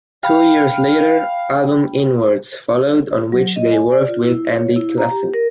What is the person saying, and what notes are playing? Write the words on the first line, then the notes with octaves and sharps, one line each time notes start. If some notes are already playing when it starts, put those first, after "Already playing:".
Two years later album Inwards followed, on which they worked with Andy Classen.
F5 G5 B5
F#3
D#5
G#5
D5
F4
E4
C#5
E4
A#5
G4
A#4